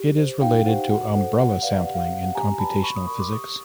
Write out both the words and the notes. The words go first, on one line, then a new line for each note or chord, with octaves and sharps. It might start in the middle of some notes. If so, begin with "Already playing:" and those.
It is related to umbrella sampling in computational physics.
Already playing: G4
C5
D#4 F5 G5
G4 C5 F#5
F#4 F#5
A4 C5 F#5
G4 F#5
B4 D5 F5
G4 F#5
F5
F#5
C5 F5
F#5
G4 G#5 A#5
B4 D5 A5 B5
F#4 B5 C#6
C#6 D#6
A#4 D5 B5 C#6
C6 D6
G4 C#6 D#6